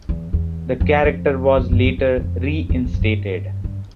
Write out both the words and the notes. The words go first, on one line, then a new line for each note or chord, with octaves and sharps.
The character was later reinstated.
E2
E2
F2
F2
G#2
G2
F2
E2
E2
F2
E2
F2
G#2
G2
G2